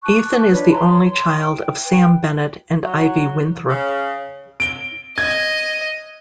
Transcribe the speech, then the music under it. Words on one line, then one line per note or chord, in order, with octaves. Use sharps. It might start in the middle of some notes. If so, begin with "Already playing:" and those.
Ethan is the only child of Sam Bennett and Ivy Winthrop.
A5 C#6 D6 F#6
D4 F4 B4 C#5
B4 A5 A#5 C6
C#5 C6
G5
B4 G5
F#3
C#3
D7 G7
D#5 G#6